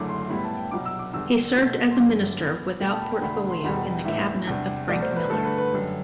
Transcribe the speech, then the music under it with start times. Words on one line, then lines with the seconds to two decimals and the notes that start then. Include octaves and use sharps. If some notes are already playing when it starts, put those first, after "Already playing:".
He served as a minister without portfolio in the cabinet of Frank Miller.
Already playing: F#1 F#2 D3 A3 E4 D6
0.09 C6
0.22 C6
0.30 A2 G3 B3 E4 B5
0.44 A5
0.57 G5
0.71 C2 B2 F#3 D6
0.85 E6
0.99 D6
1.13 E2 D3 G3 D4 E6
1.55 B1 B2 A3
1.91 C6
1.97 G1 F#2 F#3 D6
2.39 F#2 E3 B3
2.80 E2 B2 A3 G5
2.90 A5
3.01 B5
3.12 G5
3.21 E1 D2 D3 A3 D4 B5
3.50 C6
3.64 E1 E2 B2 G3 B5
4.05 A1 A2 E3 A3 E5
4.47 E2 C3 G3 D4
4.89 C2 B2 A3 D5
5.02 C5
5.16 B4
5.30 G2 D3 A3 D4 A4
5.44 B4
5.58 B4
5.72 F#2 D3 G3